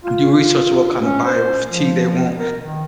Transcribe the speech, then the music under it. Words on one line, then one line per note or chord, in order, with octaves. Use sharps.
do research on what kinda body or physique they want,
F4
F4
C#4
C5
F3
A#4
D#3